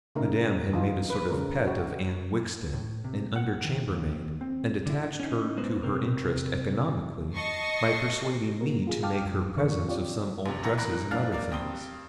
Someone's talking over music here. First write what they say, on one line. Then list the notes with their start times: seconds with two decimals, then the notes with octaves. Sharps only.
Madame had made a sort of pet of Anne Wixted, an underchambermaid, and attached her to her interest economically by persuading me to make her presents of some old dresses and other things.
0.15 C#3 A3 D#4 A#4
0.73 E3 D#4 F4
1.10 B4
1.29 C#3 F3 G#3 A#4 B4
1.65 F#4 G4
2.73 A2
3.04 C3
3.36 F#5
3.64 D#3
3.88 D#2
4.41 C4
4.86 D3 E4
5.20 C#4 D#4
5.57 G#3 B3 D#4 B4 C5
5.83 C3 C4 A#4
7.34 D#5 A5 C#6 A6 A#6 C7
8.61 G#3 A#3 F#4 A#4
8.87 F4 G#4
9.03 F5 G5 A5 D6 D#6 F6
9.26 F#2
9.55 F2 A2 D#3 D4 A#4 C#6
9.87 C4 F4 G4 C#5 D5
10.46 A#1 C3
10.63 A2 E3 E4 F#5 A#5 A#6
10.78 E2 A#4 B5 F#6 A#6
11.11 F2 D4 F5 F6 A6
11.32 A#3 A#4 D5
11.51 G2 C4 D#6 G7